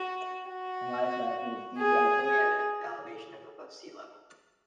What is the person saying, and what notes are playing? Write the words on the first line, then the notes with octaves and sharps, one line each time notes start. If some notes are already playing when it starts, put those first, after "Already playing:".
The highest mountain is Didi Abuli at an elevation of above sea level.
Already playing: F#4
F#4
G#4
G#4